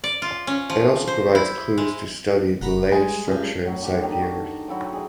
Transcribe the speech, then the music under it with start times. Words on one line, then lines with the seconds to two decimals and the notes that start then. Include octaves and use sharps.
It also provides clues to study the layered structure inside the earth.
0.04 D5
0.22 F4
0.47 C#4
0.70 F3
1.07 C5
1.35 E4
1.78 G#3
2.61 F1 F#5 A#5 B5
2.92 G3 G#3 G#5
3.28 C#2 G2 C#4
3.65 A2 F#3
3.82 D3 G4
4.00 D#3 D4 D#5 G5
4.21 F#4 A5
4.68 F#3 E4 F#5 G5
4.93 G#4